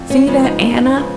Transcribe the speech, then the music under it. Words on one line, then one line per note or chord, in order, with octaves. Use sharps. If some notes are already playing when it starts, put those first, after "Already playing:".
'See that, Anna?
Already playing: F2
C#4
C#3 F3 G#3 B3 C#4
D#4
F2
C#3 F3 G#3 B3